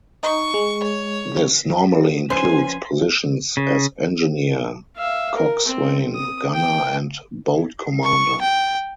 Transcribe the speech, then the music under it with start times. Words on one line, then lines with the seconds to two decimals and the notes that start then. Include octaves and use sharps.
This normally includes positions as engineer, coxswain, gunner, and boat commander.
0.23 D#4 C#6
0.54 G#3
0.83 C#5
2.30 F2 C#4 B4 C5 G#5 C6 C7
3.57 C#3
4.96 E5 F5
5.36 A#4
5.65 C4
6.14 D#6
6.53 G5
8.04 C#6
8.41 G5